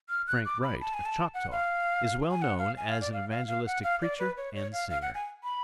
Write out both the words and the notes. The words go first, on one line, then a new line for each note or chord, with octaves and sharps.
Frank Wright, a Choctaw, is well known as an evangelistic preacher and singer.
F6
F#6
D6
B5
A5
G#5
A5
F#5
F5
G#5
F#5
F5
G#5
F5
D5
F5
F5
F5
F#5
F5
D5
B4
C#5
C#5
F5
F5
F#5
G#5
B5